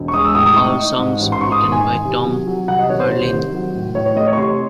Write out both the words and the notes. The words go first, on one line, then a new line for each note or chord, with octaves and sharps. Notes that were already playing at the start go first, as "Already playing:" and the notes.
All songs written by Tom Verlaine.
Already playing: E1
C#6
G#3 D#6
E6
A2 D#6
D#6
D#4 C#6
D#4
G#2
A1
C6
G#2 C#6
D#6
D#3 C6
G#5
D#3
C3
F#3
F#3
C2 F#5
D#5
D#3 C#5
C5
C2 C5
D#3
F#3
A2
A2 C#5
C#5
A3 D#5
C#5
C#6
C3 C6